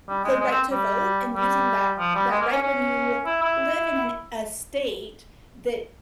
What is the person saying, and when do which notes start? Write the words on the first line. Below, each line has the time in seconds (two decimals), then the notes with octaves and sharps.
the right to vote and using that that right when you live in an a state that
0.09 G3
0.24 G#3
0.40 G#3
0.51 C4
0.71 G3
1.35 G3
1.99 F3
2.15 G3
2.31 G#3
2.41 A#3
2.52 C#4
2.62 C#4
3.25 E4
3.42 E4